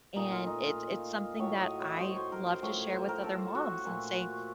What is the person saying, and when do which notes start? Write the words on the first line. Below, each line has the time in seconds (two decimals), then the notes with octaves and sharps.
and it's it's something that I love to share with other moms and say,
0.16 A#2 A3 D#4
0.32 F4
0.47 D#4
0.62 F4
1.39 A2 F#3 A3 C#5
1.60 D#5
1.81 C#5
1.97 C5 C#5
2.16 C5
2.32 A#4
2.47 C5
2.62 A2 F3 A3 C#5
2.78 C#5
2.93 C5
3.09 A#4
3.24 A4
3.55 F#4
3.85 A#2 A3